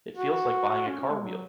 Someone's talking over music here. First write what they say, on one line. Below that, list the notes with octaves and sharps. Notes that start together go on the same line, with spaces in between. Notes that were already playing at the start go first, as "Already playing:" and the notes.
It feels like buying a car wheel.
F#4
C#4
C#4
G#3
F#3